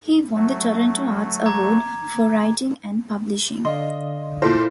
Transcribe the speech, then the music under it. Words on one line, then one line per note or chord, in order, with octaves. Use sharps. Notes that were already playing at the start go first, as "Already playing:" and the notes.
He won the Toronto Arts award for writing and publishing.
F#3 A3
A#5 D6 G#6
D3 D5 D#5 F5 C6
A#2 E4 F4 A4 C5